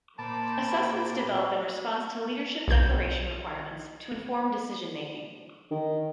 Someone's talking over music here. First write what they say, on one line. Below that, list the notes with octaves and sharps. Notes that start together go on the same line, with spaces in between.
Assessments develop in response to leadership declaration requirements to inform decision making.
A#2 A#3 C5 A5 B5 D6
B1 G6
D#3